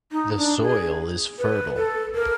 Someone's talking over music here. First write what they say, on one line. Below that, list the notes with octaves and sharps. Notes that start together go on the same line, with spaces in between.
The soil is fertile.
D#4
D4
G#4
B4
A4
A#4